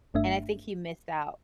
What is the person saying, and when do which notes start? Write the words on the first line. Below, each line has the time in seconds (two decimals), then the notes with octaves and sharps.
And I think he missed out.
0.14 G1 G2 A3 D4 E5